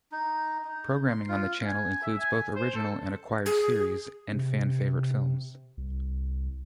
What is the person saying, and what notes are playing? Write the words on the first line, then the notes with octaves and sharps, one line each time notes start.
Programming on the channel includes both original and acquired series, and fan favorite films.
D#4
D#4
C6
F4
G#5
E5
G#5
C5
A4
G#4
C3
C2